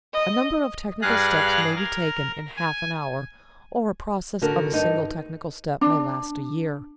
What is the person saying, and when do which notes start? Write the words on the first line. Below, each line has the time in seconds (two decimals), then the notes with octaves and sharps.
A number of technical steps may be taken in half an hour, or a process of a single technical step may last a year.
0.14 D#5
1.02 G2 G#4 F5 F#6 A#6
1.76 A#4
2.57 G#5
4.42 D3 F#4 A#4
4.72 G2 D#4
5.81 D4